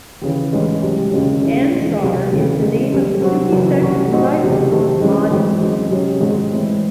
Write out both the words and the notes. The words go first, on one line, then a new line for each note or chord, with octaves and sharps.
Ansar is the name of the Sufi sect of disciples of the Mahdi.
D#2 C#3 E3
A1 G#2 E3 G#3 C#4
C2 C3 F#3
E1 D#2 C#3 G#3 C#4
C#3 G#3 C#4 E4 G#4
E1 E2 D#3 G#3
C2 C3 F#3 C4
E1 D#2 C#3 E3
C#3 E3 G#3
C2 C3 F#3 C4
C3 F#3 C4 F#4
F#1 F#2 E3
C2 C3 F#3 C#4 F#4
A2 F#3 C4 D#4 F#4
F#1 E2 C3
C3 D#3 A3 C4
G#2 E3 G#3 C#4
G#1 F#2 E3 C4
F#2 D#3 G#3
C3 F#3 C#4 G#4 C#5
G#1 G#2 D#3 G#3 C4
A2 E3 C4 E4